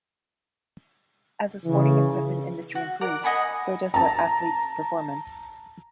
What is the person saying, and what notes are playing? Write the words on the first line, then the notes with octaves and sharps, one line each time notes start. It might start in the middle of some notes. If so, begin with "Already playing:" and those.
As the sporting equipment industry improves, so does the athletes performance.
C#3 E3
F#4
A#4 D5 F#5
D#5 F#5 G#5 B5
A5 A#5